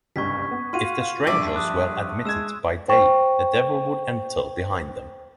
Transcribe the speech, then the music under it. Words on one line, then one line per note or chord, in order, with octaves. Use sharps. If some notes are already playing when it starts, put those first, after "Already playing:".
If the strangers were admitted by day the devil would enter behind them.
F#1 C2 G2 C#6 G#6 B6
B3
F4 F#4 F5 C6 D#7
A#1 G2 D4 D5 E5
D#6 F#6
G#3 E6 G#6 E7
C5 G5 C#6